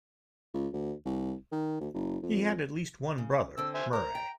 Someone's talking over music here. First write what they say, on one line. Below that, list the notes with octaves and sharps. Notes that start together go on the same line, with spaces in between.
He had at least one brother, Murray.
C#2
D2
C2
D#3
D2
F#1
F2
C#3
D3 C4 E6
C5 E5 G#5
A#4 C5 A#5
G5